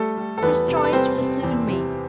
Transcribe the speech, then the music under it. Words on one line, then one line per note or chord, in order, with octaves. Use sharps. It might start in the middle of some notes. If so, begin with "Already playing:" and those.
His choice was soon made.
Already playing: G3 A3 A4
G3
A4
E2 B3 B4
C3
A4
B4
G3 C4 C5
C3
E2
C3